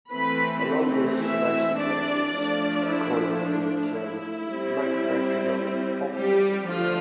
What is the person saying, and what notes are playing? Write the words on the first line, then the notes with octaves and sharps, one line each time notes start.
Along with Sebastian Edwards coined the term macroeconomic populism.
E3 A3 C4 B4 B5
E4 E5
D4 D5
F3 A3 D4
E4
D4
E4
G3 C4
G3 G4
D3 F3 A3 D4 F4